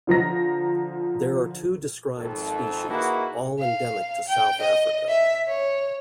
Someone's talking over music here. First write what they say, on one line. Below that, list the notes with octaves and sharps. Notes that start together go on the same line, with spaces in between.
There are two described species, all endemic to South Africa.
D3 F3 A#5 A#6
G#1 F2 A4
A#3 D#4 E4 F#4 G#4 B4
F5
G5
D#5
E5
C#5